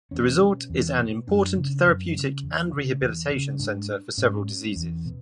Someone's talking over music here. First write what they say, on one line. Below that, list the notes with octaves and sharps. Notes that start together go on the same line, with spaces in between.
The resort is an important therapeutic and rehabilitation centre for several diseases.
E2 C#4
B2
E2
B2
F#2 D4
C#3
F#2
C#3
E2
C#3
E2
C#3
G#2 D4
G#2 C#4
E2
B2